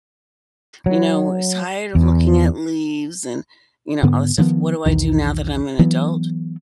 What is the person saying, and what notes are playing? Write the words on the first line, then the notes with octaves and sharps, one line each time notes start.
you know, "Tired of looking at leaves," and, you know, all this stuff what do I do now that I'm an adult?
F#3
E2
G#2 D3 B3
D#3 F3 A3 B3
B1 E2 D#3
E3 F#3 B3